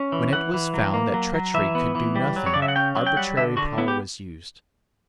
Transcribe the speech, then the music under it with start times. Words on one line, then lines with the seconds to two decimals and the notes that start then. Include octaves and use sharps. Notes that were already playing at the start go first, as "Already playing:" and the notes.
When it was found that treachery could do nothing, arbitrary power was used.
Already playing: C#4
0.12 E3
0.33 E3 F#5
0.54 E3
0.74 F#3
0.94 A#3
1.14 F#3
1.34 F#3
1.54 E3 E5
1.75 B3
1.95 E3
2.16 G3
2.36 F#3
2.46 C#5
2.54 C#3 D5
2.62 E5
2.68 F#5
2.76 C#4 G5
2.96 F#3
3.07 G5
3.17 G3 F#5
3.37 D3 E5
3.57 D3 F#4
3.78 B3 E4
3.88 G4